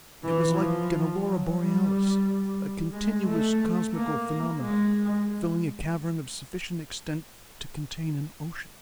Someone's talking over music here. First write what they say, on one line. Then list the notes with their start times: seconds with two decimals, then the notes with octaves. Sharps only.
It was like an aurora borealis, a continuous cosmical phenomenon, filling a cavern of sufficient extent to contain an ocean.
0.24 E3
0.57 F3
1.24 F#3
1.58 G3
2.92 G#3
3.26 A3
3.93 A#3
4.61 G#3